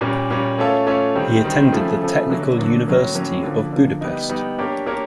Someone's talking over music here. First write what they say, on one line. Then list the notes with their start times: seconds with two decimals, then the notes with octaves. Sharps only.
He attended the Technical University of Budapest.
0.01 A#2 G3 A#3 C#4
0.30 A#2 G3 A#3 C#4
0.58 A3 C#4 F4 A4 C#5
0.87 A3 C#4 F4 A4 C#5
1.15 D#3 G3 C4
1.44 D#3 G3 C4
1.72 C#3 F3 A3
2.01 C#3 F3 A3
2.30 D3 F#3 A#3
2.58 D3 F#3 A#3
2.86 A2 F#3 A#3 C#4
3.15 A2 F#3 A#3 C#4
3.43 D3 F3 A#3
3.73 D3 F3 A#3
4.01 G3 B3 D#4
4.29 G3 B3 D#4
4.58 A#3 D4 G4 A#4 C#5
4.86 A#3 D4 G4 A#4 C#5